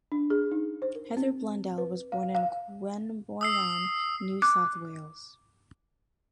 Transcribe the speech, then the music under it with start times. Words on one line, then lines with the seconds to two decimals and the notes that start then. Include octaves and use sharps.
Heather Blundell was born in Queanbeyan, New South Wales.
0.12 D4
0.30 G#4
0.52 D#4
0.82 C5
0.95 A#4
1.17 C4
1.78 B4
2.12 F5
2.35 F5
3.41 D#6 E6 C7
4.42 D6 F#6